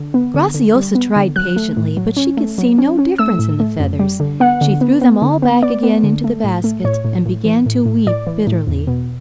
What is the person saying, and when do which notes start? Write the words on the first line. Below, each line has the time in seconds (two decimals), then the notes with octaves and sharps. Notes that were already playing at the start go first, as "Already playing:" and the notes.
Graciosa tried patiently, but she could see no difference in the feathers; she threw them all back again into the basket, and began to weep bitterly.
Already playing: D3
0.14 B3
0.34 D3
0.54 D3
0.75 G3
0.95 B3
1.16 D3
1.36 F#3 F#6
1.56 A3
1.77 A2
1.97 F#3
2.17 C#4
2.37 A3
2.58 F#3
2.78 C#4
2.99 C#4
3.18 A3 E6
3.39 A2
3.60 A3
3.80 F#2
3.99 G3
4.20 D3
4.40 B3 F#5
4.61 D3
4.81 B3
5.01 B3
5.22 D3
5.42 B3
5.63 B3 D5
5.83 B3
6.04 D3
6.24 A3
6.44 A2
6.64 A3
6.84 A2 C#5
7.05 A2
7.26 A2
7.45 E3
7.66 A2
7.86 A2
8.06 A2 D5
8.27 E3
8.47 A2
8.67 E2
8.87 B2